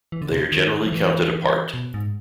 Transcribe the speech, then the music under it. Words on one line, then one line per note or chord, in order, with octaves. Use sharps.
They are generally counted apart.
E3
D3
C3
D#3
F3
E3
B2
G#2